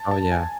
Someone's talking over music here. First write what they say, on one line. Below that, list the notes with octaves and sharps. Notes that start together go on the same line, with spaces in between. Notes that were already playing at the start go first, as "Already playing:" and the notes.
Oh, yeah.
Already playing: A5
A5
G#5